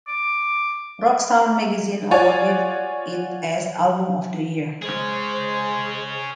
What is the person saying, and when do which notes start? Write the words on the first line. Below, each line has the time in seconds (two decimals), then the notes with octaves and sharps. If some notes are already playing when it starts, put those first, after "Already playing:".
Rock Sound Magazine awarded it as "Album of the Year".
0.07 D6
2.11 F4 F#4 C#5 D5 G#5
4.82 G#3 G#4 C5 C#5